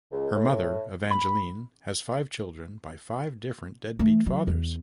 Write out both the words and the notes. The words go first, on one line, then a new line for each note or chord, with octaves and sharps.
Her mother, Evangeline, has five children by five different deadbeat fathers.
C#2
A2
B5
E3 A3
F#3
E2